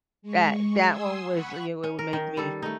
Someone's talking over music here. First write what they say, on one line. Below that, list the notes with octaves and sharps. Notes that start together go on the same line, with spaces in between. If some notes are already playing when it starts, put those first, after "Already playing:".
That that one was you w would make me
G#3 C#6
G#5 C6 D#6 E6
F#5 B5 C#6
C#4
A#4
D#3
G3 A4
A3 D#4